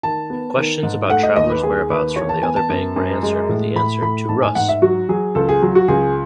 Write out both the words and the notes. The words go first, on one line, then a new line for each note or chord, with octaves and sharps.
Questions about travelers' whereabouts from the other bank were answered with the answer To-Rus!
D#3 A5
B3
D#3
G#2
A3 F#5
D#5
D#2 D#5
B4
D#2 G#4
D#2 B4
E3 C#5
A5
B3 G#5
A5
F#2
F#2
G#3
A2
A2 B5
A2 B5
G#2 A5
G#5
G#2 F#5
E5
F#3 F#4
F#3 G#4
C#2 A4
G#4
F#3
F#4
C#2 G#4